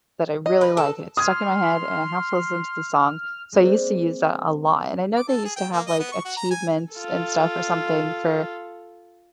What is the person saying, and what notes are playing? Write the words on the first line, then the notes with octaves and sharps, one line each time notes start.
that I really like, and it's stuck in my head, and I have to listen to the song. So, I used to use that a lot, and I know they used to have, like, achievements and stuff or something for,
D#5
B4
A4
C6 D#6 F6 G#6
G#3 A#3 C4 D4
D6
A4
G#4
G5
A#3
D#5
B3
C#6
F#4
A#5
G#5
F4 A4